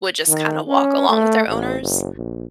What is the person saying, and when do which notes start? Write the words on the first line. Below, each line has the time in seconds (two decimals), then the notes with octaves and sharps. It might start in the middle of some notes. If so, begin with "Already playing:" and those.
would just kind of walk along with their owners.
0.28 D#3
0.68 C#4
1.09 A3
1.48 A1
1.81 F#1
2.16 A#1